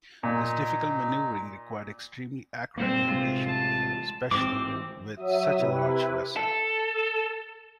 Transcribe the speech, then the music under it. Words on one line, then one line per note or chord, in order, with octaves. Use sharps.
This difficult manoeuvring required extremely accurate navigation, especially with such a large vessel.
A#2 D#4
A#2 G3 A#3 C4 C5
A1 C3 G#3 F4
A5
A1 G#2 E3 C4 D6
F#3 E5 D#6
C3 E4 B4
A4